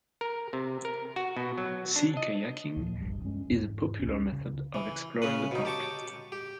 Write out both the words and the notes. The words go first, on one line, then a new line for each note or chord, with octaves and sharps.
Sea kayaking is a popular method of exploring the park.
A#4
C3
A#4
F#4
B2
F#3
D4
D#5
D#2 A#2 F3
F#1 B1 G2
G2 G#3 C#4
E2 G#2
C#2 C#4
C#3
E3
C#3 C#4 B4
B2 D#4
G4 A5 C#6 D6
G4